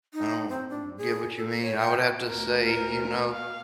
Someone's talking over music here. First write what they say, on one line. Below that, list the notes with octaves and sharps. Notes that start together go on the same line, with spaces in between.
I don't get what you mean, I would have to say, you know,
D#4
C4
D4
G#4
A4
C#5
G5
D2 A#4
A#4
F5